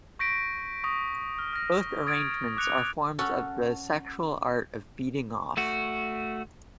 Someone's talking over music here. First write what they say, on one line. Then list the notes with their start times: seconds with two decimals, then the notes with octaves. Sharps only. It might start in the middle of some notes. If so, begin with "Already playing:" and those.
Both arrangements are forms of the sexual art of "beading off".
0.19 C#6 G6 A#6 B6 D7
0.84 C#6 D#6 A#6 D7
1.39 F6
1.53 F6 A#6
2.06 D#6 G#6 A6 D7
2.57 D6 F#6 C#7 F7
3.19 C#4 F#4 A4
5.57 A3 F#4